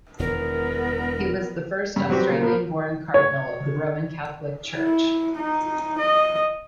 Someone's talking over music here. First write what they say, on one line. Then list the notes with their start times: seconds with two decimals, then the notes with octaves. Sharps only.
He was the first Australian-born cardinal of the Roman Catholic Church.
0.19 E1 E2 D#3 B3 A#4
1.96 G2 C#3
2.10 F#3 G3 C4 F#4 G4 B4
2.29 C#3 A#3
2.41 F3 A#3 B3 A#4 C5
3.14 C#5
4.74 E4
5.37 D#4
5.98 D#5